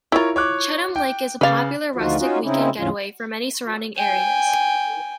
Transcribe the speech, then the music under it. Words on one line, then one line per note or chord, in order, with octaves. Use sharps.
Cheatham Lake is a popular rustic weekend getaway for many surrounding areas.
E4 F4 A#4 C#5
C#5 D6 F#6
G5
C#3 B4 F5 D6 A6
D2 D#3 F3 F4 F#4
C#4 D#4 F4 F#4
C#3 C4 C#4 D#4 E4
E2 A2 D3 F3 C#4 F4
G5 G#5